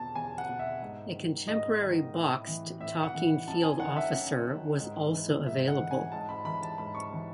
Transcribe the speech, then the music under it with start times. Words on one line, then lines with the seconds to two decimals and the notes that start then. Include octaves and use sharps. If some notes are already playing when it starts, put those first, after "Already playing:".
A contemporary boxed talking field officer was also available.
Already playing: E2 B2 A5
0.15 E2 G#5
0.38 F#5
0.49 B2
0.59 E5
0.82 G#2
1.15 D#3
1.48 G#2 D#5
1.81 D#3
2.14 A2
2.47 E3
2.80 A2 E5
3.03 F#5
3.14 E3
3.47 F#2 A5
3.63 G#5
3.80 D#3 F#5
3.96 E5
4.13 F#2
4.46 D#3
4.80 G#2
5.13 E3
5.46 G#2 E5
5.68 F#5
5.79 E3
5.91 G#5
6.12 G#2 A5
6.29 B5
6.45 E3 B5
6.63 A5
6.78 G#2 B5
6.95 C#6
7.12 E3